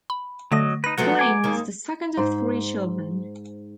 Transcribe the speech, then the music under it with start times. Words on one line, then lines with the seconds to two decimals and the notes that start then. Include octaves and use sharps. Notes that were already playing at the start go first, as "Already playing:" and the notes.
Klein was the second of three children.
0.10 B5
0.52 D3 F#3 A3 D#5 A#6
0.84 D#4 B4 A#6
0.98 F3 F#3 G#3 A3 B3 F#5
1.19 G#5 D6
1.44 D#2 D#3 A#3
2.17 G#2 C5